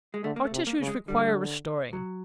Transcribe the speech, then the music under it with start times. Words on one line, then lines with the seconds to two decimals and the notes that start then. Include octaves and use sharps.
Our tissues require restoring.
0.14 G#3
0.24 D3 A3
0.36 A#3
0.45 A3
0.52 C3
0.67 A#3
0.81 C#3
0.87 G#3
1.08 D3 G3
1.93 F#3